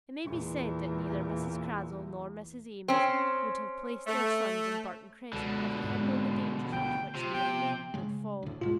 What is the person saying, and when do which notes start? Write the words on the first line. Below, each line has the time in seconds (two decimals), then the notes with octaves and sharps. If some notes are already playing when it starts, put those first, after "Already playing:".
It may be said that neither Mrs. Cradell nor Mrs. Eames would have placed their sons in Burton Crescent if they had known the dangers into which the young men would fall.
0.24 E2 A#2
2.88 C4 C#4
4.07 A3
5.33 C#2 B2 D3
5.83 G#2
6.07 G#3
6.73 D2 G5
7.15 C3 F4
7.34 B3 G5
7.94 A2 C#3 G#3
8.43 D2 A2
8.61 C#2 G#2 B2 G#3 F4